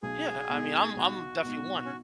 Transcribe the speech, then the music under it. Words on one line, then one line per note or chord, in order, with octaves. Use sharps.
yeah, I mean, I'm I'm definitely one.
B1 G#4
B2 B3 D#4
B1 F#4
B2 B3 D#4
C#4